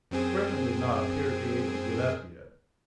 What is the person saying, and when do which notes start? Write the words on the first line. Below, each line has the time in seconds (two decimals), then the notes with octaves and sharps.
But Griffin did not appear to be able to get up yet.
0.11 F#2 C4 G#4